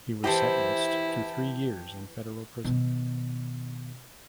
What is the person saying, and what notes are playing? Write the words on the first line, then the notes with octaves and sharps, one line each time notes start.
He was sentenced to three years in federal prison.
E3 E4 G4 C5 D#5 A5
B2 D#3